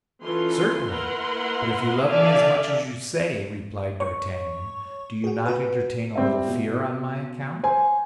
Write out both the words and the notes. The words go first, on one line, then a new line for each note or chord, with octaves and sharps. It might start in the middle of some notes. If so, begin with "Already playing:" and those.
"Certainly; but if you love me as much as you say," replied d'Artagnan, "do you not entertain a little fear on my account?"
E3 C#4 F4 A4 C6
A#3 E4 A#4 B4 F#5 C6
D4 A4 D5 E5 F5 G#5
C#5 C#6
F#4 G#4
F#4 B4
G3 C4 E5
B2
C5 G#5